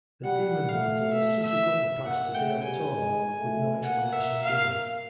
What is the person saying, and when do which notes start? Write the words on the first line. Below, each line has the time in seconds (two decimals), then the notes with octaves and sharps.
The Demon mantle was subsequently passed to Dale Torborg with no explanation given.
0.23 G3 F#5
0.68 A3 F5
1.13 E5
1.43 E5
2.03 A#3 F#5
2.33 A3 G5
2.63 G3 G#5
2.94 G#3
3.39 A3
3.84 A#3 F#5
4.13 E5
4.43 F5